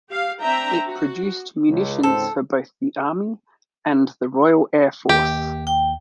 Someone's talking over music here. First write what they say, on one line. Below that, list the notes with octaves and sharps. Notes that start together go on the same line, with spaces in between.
It produced munitions for both the Army and the Royal Air Force.
G4 F5
C4 D4 E5 G5 A#5
F#4
C#2
C#2 G#2 C4 A4
D#2 G4
G5